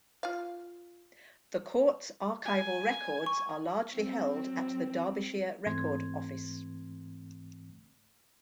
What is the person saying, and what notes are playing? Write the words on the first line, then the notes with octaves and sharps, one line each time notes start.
The Courts' archival records are largely held at the Derbyshire Record Office.
F4 F5
G#5
C#6
F#3 C4
G#2 E3 A3 C4 C6 G#6